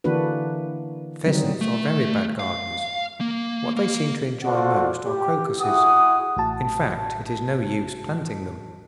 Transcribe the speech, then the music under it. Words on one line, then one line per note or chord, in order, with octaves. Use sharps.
Pheasants are very bad gardeners; what they seem to enjoy most are Crocuses--in fact, it is no use planting them.
D3 E3 A#3 D4 F#4 B4
D3 D#3 F#3 G3 C4 D#4
A3
F5
A#3
A#3
F4 F#4 A4 C5 D5 F#5
G4
E4 F#4 G#4 F#5 D#6
A1 A2 F#4 A5